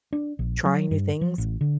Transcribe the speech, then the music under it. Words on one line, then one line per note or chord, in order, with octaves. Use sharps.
trying new things
D4
A#1
F#3
G2
F3
A1
D3